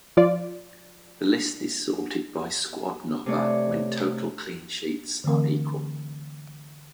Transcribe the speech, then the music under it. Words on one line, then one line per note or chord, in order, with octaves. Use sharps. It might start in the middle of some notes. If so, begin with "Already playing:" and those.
The list is sorted by squad number when total clean sheets are equal.
F3 F4 D5
C3 A3 C#5 D5
D3 E3 A3 C4 A#4